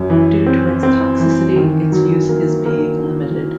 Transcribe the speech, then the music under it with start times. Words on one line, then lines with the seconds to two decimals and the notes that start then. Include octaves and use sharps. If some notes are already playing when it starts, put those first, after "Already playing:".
Due to its toxicity, its use is being limited.
Already playing: F#2
0.10 E3
0.46 C4
0.83 C4
1.19 E3
1.56 D#3
1.92 F#3
2.29 A#3
2.65 A#3